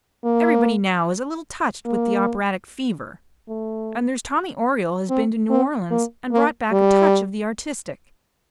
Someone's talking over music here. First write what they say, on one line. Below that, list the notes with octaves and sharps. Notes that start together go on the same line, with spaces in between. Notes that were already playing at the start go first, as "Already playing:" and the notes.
Everybody now is a little touched with the operatic fever, and there's Tommy Oriole has been to New Orleans and brought back a touch of the artistic.
A#3
A#3
A3
C4
C4
A#3
A#3
G3